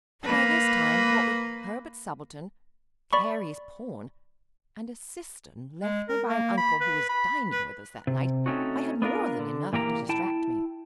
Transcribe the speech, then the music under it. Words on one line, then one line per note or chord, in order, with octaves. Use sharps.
For by this time, what with Herbert's subaltern, Carey's pawn, and a cistern left me by an uncle who was dining with us that night, I had more than enough to distract me.
A#3 B4
D5 B5 C#6
G#3
A#4
A#3
B5
B4
B5
B4
C3
A3 C4 C#4 D#4 F#4
B3 D4 F4 A#4
D3
A#2 E3 A#3 G4 A4 A#5
E4 G5 A5